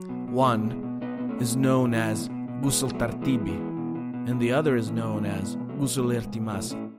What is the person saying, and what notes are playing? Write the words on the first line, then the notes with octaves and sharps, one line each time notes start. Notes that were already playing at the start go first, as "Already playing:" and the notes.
One is known as ghusl tartibi, and the other is known as ghusl irtimasi.
Already playing: F#3
B2
B2
A3
B2 G#3
B2
B2
B2 B3 D#4
B2 B3
A3 C#4
B2
A2
A2
E3
B2
B2
B2
C#4
B2 G#3 B3
B2 G#3
F#3 A3
B2
E3 G#3 B3
E3
G#3 B3
E3
B2
B2
B2
B2 B3 D#4
B2
B3 D#4
B2
B3
E3 A3 C#4
E3 D#4
A3 C#4
E3
A3
B2 G#3 B3
B2
F#3 A3
B2
B2 F#3 A3
B2
G#3
B2
A2 F#3 A3
A2 A3 C#4